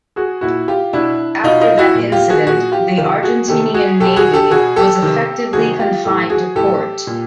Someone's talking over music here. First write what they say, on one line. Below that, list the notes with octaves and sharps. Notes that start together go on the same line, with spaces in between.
After that incident, the Argentinian Navy was effectively confined to port.
F#4 G#4
A#2 E4 F#4
F4 G4
B2 D4 E4
B2 D#4 F4
D#4 F4
E4 F#4
A#2
F4 G4
F#4 G#4
A#2 F#4 G#4
F4 G4
C3 D#3 F4 G4
F#4 G#4
C3 D#3 G4 A4
F#4 G#4
B2 G4 A4
F#4 G#4
G4 A4
B2 F#4 G#4
G4 A4
C3 D#3
C3 D#3 F#4 G#4
F4 G4
A2 E3 G4 A4
F#4 G#4
A2 E3 G4 A4
A#2